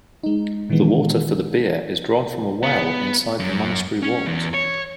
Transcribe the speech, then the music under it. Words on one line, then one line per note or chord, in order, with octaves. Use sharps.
The water for the beer is drawn from a well inside the monastery walls.
G#3 D#4
A#2 D#3 E3 G#3 B3
B3
F#2
C#4
E2
C#5